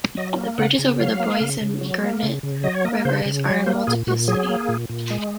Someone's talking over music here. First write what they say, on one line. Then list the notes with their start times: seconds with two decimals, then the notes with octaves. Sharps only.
The bridges over the Broye and Grenet rivers are in the municipality.
0.17 F#3 D#5
0.37 A#3
0.58 C#3 F#5
0.79 C#3
1.00 F#3 F5
1.20 A#3
1.41 C#3
1.61 C#3
1.81 F#3
2.02 A#3
2.23 C#3
2.43 C#3
2.64 F#3 D#5
2.74 C#5
2.85 A#3 D#5
3.05 C#3 C5
3.26 C#3
3.46 F#3 C#5
3.66 A#3 C5
3.87 A#2 G#4
4.07 A#2 F#4
4.28 F#3 G#4
4.49 A#3
4.68 A#2
4.89 A#2
5.10 G#3